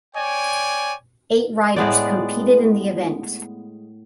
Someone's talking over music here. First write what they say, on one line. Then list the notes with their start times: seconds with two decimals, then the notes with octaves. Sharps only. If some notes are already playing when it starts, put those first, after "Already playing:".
Eight riders competed in the event.
0.16 C#5 D5 G5 G#5
1.76 A2 G#3 B3 D5